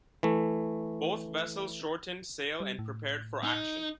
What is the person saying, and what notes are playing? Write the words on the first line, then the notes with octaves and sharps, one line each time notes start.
Both vessels shortened sail and prepared for action.
E3 A3
G3
A2
D#4